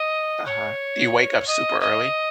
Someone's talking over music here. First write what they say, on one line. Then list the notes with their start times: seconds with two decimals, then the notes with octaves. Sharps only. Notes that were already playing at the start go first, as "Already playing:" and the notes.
Uh-huh. Do you wake up super early?
Already playing: D#5
0.45 C#5
1.47 D#5
1.80 D#5